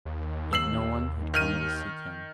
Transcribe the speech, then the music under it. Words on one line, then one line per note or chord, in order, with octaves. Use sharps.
Yet no one had come to seek him.
D#2
E6 C7 F#7
D#3 F6 D#7